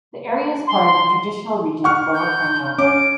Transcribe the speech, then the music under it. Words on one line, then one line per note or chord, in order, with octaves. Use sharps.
The area is part of the traditional region of Lower Carniola.
C6
F#5 C#6 F6
G6
C#4 D6 D7